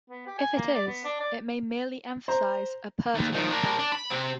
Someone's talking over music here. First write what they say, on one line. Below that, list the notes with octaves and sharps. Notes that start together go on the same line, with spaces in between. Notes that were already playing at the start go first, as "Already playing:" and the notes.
If it is, it may merely emphasize a pertinent fact.
B3
G4
G#5
A#3
D5
B3
D4
D5
C5 A#5
D#2
D#3 F3
A#3 D4
D4
B5
C3 C4